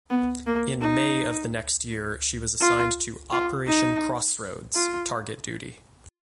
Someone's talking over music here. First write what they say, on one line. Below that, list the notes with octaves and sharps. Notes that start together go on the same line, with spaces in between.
In May of the next year, she was assigned to Operation Crossroads target duty.
B3
A#3
D#4
F4
F4
D#4
F4